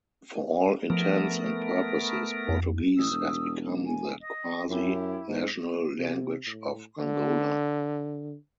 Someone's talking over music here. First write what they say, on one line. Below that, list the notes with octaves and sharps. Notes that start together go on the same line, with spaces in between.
For all intents and purposes, Portuguese has become the quasi national language of Angola.
F3 A3 B3 A#4
F2
A1 D#6 E6
E1
G#5
D#5
F#2 E4 G4
G#2
C3
A2
D3